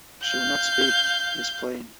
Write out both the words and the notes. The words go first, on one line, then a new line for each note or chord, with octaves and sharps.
She will not speak, it is plain.
F5 G6